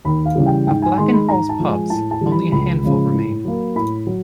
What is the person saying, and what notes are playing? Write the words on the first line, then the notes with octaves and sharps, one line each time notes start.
Of Blakenhall's pubs, only a handful remain.
D#2 B5
F5
C#3 E3 G3
G5
G#2 G5
G#5
D#3 G#3 C6
B5
G#2 A#5
A5
F3 G#3
G#5
A2 A5
A5
E3 G3
B5
C#2 B5
C#3 F3 G#3
A2
F#3 A#3
A2 B5
F#3